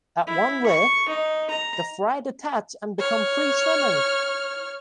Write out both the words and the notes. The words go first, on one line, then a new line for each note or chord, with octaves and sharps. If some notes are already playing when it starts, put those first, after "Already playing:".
At one week, the fry detach and become free-swimming.
E4
C#6
D#4
A#5
C#5 F6